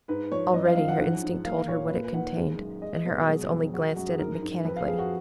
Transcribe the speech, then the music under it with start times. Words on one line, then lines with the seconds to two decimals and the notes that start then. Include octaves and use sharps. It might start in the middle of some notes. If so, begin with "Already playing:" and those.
Already her instinct told her what it contained, and her eyes only glanced at it mechanically.
0.08 G#2 B4
0.32 F3 C#5
0.54 F#2 D#5
0.65 F5
0.77 F3 F5
0.88 F#5
0.99 G#2 F#5
1.23 G#2
1.45 A#3 F5
1.68 A#2 C#5
1.91 A#3 B4
2.03 B4
2.14 D#3 F#5
2.37 G#3
2.59 F#2
2.82 G#3 D#5
3.05 B2 B4
3.28 F#3 G#4
3.51 F2
3.73 G#3 F#4
3.96 F#2 F#4
4.08 G#4
4.19 G#2 A#4
4.42 G#2
4.65 F2 B4
4.76 F5
4.88 F2 G#4
4.99 F#4